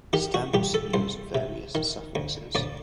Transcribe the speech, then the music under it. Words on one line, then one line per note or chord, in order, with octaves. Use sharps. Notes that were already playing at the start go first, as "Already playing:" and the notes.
Stamps use various suffixes.
D#3 G4
F#4
C2 G4
A4
C2 C5
C3
D#3
D2
D2 D5